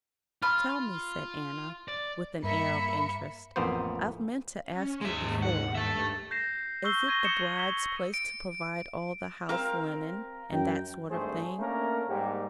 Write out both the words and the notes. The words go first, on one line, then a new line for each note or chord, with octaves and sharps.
'Tell me,' said Anna, with an air of interest; 'I've meant to ask you before: Is it the bride's place to provide all the house-linen, and that sort of thing?'
F4 B5 F6
D5
G2 A#3 E5 B5 C#7
A1 F2 A#3 B3 C5
C#4
D#2 G#2 G#3 E5
F#5
G2 A4 E5
G6 A#6 C7 E7
C#6 E6 F#6 G6 C7 G7
C#6 G#6 A#6 D#7 G7
D#6 G#6 A#6 C#7 E7 G7
G#6 B6 E7 G7
D7
C4 A#4 F5
F#2 G5
G#1 G2 A3 G#4 C5
A3 A#3 C#4 D4 A#4
G#2 G3 A#3 G4